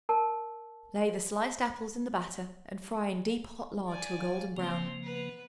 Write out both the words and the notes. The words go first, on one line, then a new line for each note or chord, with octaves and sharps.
Lay the sliced apples in the batter and fry in deep hot lard to a golden brown.
A#4 A5
D5 G#5
F5
C#3 F3 A#3 C4 C6
B3 B4